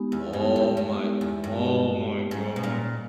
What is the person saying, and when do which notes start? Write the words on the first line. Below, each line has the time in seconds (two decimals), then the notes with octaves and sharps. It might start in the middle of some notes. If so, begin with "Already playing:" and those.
Oh my oh my god.
Already playing: G#3 B3 D#4 G4
0.12 E2
0.33 G2 G#3 B3 D#4 G4
0.56 E2
0.77 G2
1.00 G#3 B3 D#4 G4
1.21 E2
1.44 G2
1.65 G#3 B3 D#4 G4
2.30 G#2 G3 C#4 G#4 D#5
2.56 B2
2.63 A#2